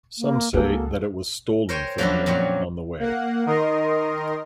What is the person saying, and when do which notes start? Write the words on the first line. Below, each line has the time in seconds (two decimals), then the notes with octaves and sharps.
Some say that it was stolen from him on the way.
0.18 A#3
0.54 C#2 A#3 C4 F#4 G#4 A4
1.69 A#4 C5 C#5 G5 G#5
1.98 F3 F#3 A#3 C#4 D4 E4
2.26 F2 A#2 F#3 G3 C#5
2.99 A#3 F#5
3.46 D#3 A#4 D#5 C6